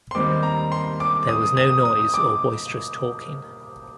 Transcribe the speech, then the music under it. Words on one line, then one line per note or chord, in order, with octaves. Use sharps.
There was no noise or boisterous talking.
C6
D#2 D#3 G3 C4 D6
A#5
C6
D6
D#6
D#6
D#6
D6